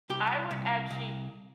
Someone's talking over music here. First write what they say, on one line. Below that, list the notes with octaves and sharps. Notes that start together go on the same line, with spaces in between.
I would actually
C2 G4
C2
C2